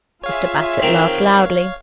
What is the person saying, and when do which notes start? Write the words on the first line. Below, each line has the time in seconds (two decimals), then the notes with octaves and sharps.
Mr. Bassett laughed loudly.
0.24 F4 G#4 C#5 E5 F5
0.82 D#3 C4